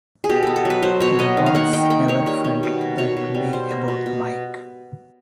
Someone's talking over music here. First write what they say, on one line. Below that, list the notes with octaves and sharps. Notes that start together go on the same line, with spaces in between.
The bots never felt that way about Mike.
G#4
B2 G4
B3 A4
A4
F#3
B4
F#3 C5
B2 C#5
B3 D#5
D#3
F5
A#3 F#5
D#3 G5
A#3 G5
D#3 C#5
G3 C#5
G3
B2
A#3
B2 C#5
B2
G3
B2 C5
A#3
B2
B2